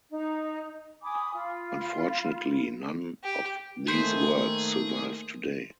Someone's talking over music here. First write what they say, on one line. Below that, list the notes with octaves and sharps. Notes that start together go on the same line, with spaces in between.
Unfortunately none of these works survive today.
D#4
G#5 B5 D6 D#6
F4 B5
G4
D#3 A3 A#3 G#4 B4 C5